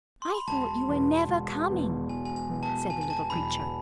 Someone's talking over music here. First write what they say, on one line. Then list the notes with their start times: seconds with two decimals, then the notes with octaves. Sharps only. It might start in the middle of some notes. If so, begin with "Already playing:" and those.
"I thought you were never coming," said the little creature.
0.22 C6
0.35 B5
0.47 E1 A5
0.88 E2 B2 B3
1.29 E1
1.69 E2 B2 B3
2.09 E1 G#5
2.25 G#5
2.36 G#5
2.50 E2 B2 B3
2.63 A5
2.90 E1 G#5
3.01 G#5
3.10 A5
3.30 E2 B2 B3 B5
3.50 B5